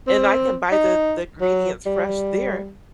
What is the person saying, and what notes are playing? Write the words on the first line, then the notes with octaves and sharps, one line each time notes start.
and I can buy the the ingredients fresh there
C4
D#4
F#3
G3